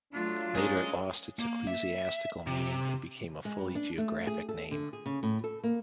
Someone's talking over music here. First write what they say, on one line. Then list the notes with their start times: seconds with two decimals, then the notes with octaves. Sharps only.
Later it lost its ecclesiastical meaning and became a fully geographic name.
0.13 F#3 A3 D4 F4
0.55 C#4 G#4 A#4 D#5
1.39 A#3
1.67 E5
2.47 C3
3.45 G#3
3.58 G2
3.75 D4
3.98 A3
4.27 G#4
4.49 A4
4.71 D3
4.93 G#4
5.06 C#3
5.23 A2
5.44 A4
5.64 A#3